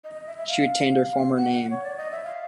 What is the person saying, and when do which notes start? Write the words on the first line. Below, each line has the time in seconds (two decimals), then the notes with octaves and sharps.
She retained her former name.
0.04 D#5
0.15 D#5
0.27 E5
0.37 E5
0.48 F5
1.36 F#5
1.70 C#5
1.83 D5
1.97 D#5
2.11 E5
2.24 F5